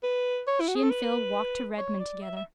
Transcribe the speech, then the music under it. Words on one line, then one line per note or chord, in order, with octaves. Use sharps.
She and Phil walked to Redmond together.
B4
C#5
E4
F#4
G#4
A4
B4
C#5
D5
E5
E5